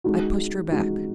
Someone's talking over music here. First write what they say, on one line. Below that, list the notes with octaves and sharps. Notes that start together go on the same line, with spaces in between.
I pushed her back.
G#3 D#4 F#4
G#3 D#4 F#4